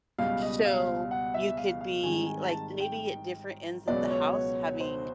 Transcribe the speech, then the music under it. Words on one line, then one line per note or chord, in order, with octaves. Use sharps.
So, you could be like maybe at different ends of the house, having
C#2 B2 G3 F5
D#5
F5
F#5
E5
F5
F5
G#1 G#2 D#3 G3 G#5
G#5
A5
G5
C#2 B2 F#3 B3 D5
C#5
C5